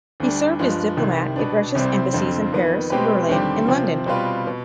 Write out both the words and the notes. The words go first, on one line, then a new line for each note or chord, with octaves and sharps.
He served as diplomat at Russia's embassies in Paris, Berlin, and London.
D2 D3 G3 D4
G2 F3 G#3
C2 C3 D#3
B2 B3 D4
C2 C3 G3 C4
F2 D3 F3 C4
F2 D#3 B3
B2 G#3 C4 G4 B4
D#2 D3 G3 C4 G4
C3 F3 C4
B2 G3 C4 F4 B4
B2